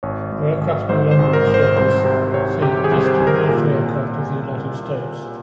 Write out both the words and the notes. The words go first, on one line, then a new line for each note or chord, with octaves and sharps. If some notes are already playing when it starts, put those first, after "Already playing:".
For aircraft no longer in-service see List of military aircraft of the United States.
G#1 C#5
G#1
G#1
G#2 C5
C5
G#1
A#4
G#1
C5
C2 C5
C3 C5
C3 C#5
C3 G4
G#4
C2
C5
C2
A#4
A#2